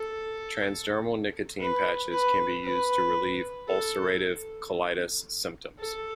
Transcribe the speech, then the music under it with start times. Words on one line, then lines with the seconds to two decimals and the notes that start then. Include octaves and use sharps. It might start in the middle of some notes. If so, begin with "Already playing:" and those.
Transdermal nicotine patches can be used to relieve ulcerative colitis symptoms.
Already playing: A4
1.59 B4
2.11 B4
2.64 B4
3.68 A4
5.78 A4